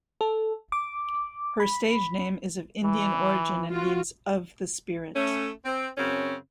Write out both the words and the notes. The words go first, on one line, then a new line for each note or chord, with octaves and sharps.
Her stage name is of Indian origin and means "of the spirit".
A4
D6
B5
E3
F4 F#4
A3 C#4
C4
F#2 C#3 C4 C#4